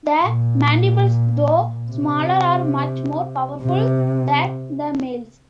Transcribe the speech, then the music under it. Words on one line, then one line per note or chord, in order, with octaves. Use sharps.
The mandibles, though smaller, are much more powerful than the males'.
A#2
C3
C3